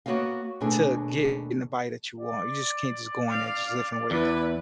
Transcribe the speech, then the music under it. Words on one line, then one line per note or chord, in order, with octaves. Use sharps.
to get in the body that you want. You just can't just go in there, just lifting weights.
A#3 B3 F#4 C#5 D#5 F5
D#2 B2 A3 D4 G#4
D5
F5
E2 E4 B4